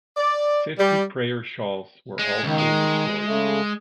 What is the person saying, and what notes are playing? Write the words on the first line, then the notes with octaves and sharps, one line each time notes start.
Fifty prayer shawls were also destroyed.
D5
G3
G#3
C#2 D#3
G#3
C#3 A3